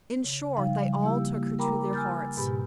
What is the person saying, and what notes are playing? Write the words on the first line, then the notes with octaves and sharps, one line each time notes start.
In short they all took her to their hearts.
C#3
C#3 F3 G3 D#4 F5
A#3 E4 G4 E6
A#4 G5 A#5 B5 D6
G#5 E6 F6 G6 A6
G#2 B2 G4 B5